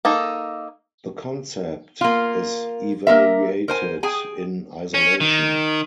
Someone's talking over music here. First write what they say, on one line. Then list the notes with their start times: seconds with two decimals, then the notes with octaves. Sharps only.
The concept is evaluated in isolation.
0.05 A#3 D#4 A4
2.01 A#3 F4
3.07 A#3 A#4 E5
3.68 A#4 C5 G#5
4.03 G#4 G5 G#5
4.94 C#4
5.20 D#3